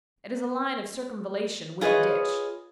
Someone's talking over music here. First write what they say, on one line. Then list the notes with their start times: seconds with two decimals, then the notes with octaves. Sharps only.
It is a line of circumvallation with a ditch.
1.81 F4 G#4 B4 C#5 D#5